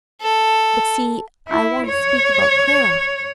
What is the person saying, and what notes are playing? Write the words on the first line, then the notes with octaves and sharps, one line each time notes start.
But see, I want to speak about Clara.
A4
E4
C#5